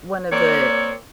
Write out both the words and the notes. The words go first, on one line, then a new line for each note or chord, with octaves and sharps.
one of the
A#3 C4 C#5 D5